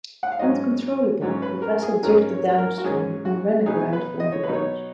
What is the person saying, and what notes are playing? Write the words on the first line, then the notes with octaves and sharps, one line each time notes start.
Uncontrollable, the vessel drifted downstream and ran aground from the bridge.
F#5
F5
G#2 F#3 C#4 D#5
G#2 F#3 C#4 C#5
B4
A#4
G#4
G#2 F#3 C#4 A#4
C#5
A#4
F#4
G#2 F#3 C#4 G#4
F#4
B2 F#3 B3 D#4 G#4
B4
D#5
C#5
B2 F#3 B3 D#4 B4
C#5